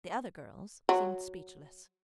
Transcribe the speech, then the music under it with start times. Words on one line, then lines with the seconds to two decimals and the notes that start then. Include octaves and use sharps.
The other girls seemed speechless.
0.89 F#3